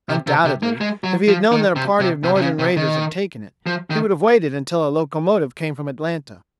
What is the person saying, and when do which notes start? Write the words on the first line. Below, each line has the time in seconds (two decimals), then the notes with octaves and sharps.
Undoubtedly, if he had known that a party of Northern raiders had taken it, he would have waited until a locomotive came from Atlanta.
0.09 C3
0.27 C3
0.45 C3
0.63 A#3
0.81 G#3
1.04 F#3
1.28 F3
1.52 D#3
1.76 C3
2.00 C3
2.24 C3
2.35 C3
2.41 C#3
2.59 C3
2.77 D#3
3.67 F3
3.90 D#3